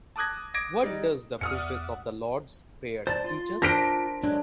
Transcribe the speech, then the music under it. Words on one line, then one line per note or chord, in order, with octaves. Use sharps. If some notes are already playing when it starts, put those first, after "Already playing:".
What does the preface of the Lord’s Prayer teach us?
A5 D6 D#6 F#6 G#6 A#6
D6 G#6 A#6 D7
G3 D#4
E2 D5 E5 F#5 D#6 F6 C#7
C5 D5 A5 A6
F4 C6
D4 A#4 C5 A#6 B6 D7
F#3 G#3 D4 F#6